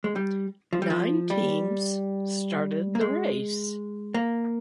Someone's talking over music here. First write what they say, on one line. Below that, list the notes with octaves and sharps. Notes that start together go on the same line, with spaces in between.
Nine teams started the race.
G#3
G3
F3
G3
F3
G3
A#3
G#3
A#3